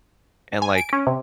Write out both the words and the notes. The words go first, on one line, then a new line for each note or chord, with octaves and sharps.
and, like,
G#5
D7
C#4
C3